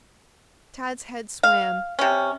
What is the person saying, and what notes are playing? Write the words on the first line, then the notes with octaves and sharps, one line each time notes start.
Tad's head swam.
F5
C3 C#4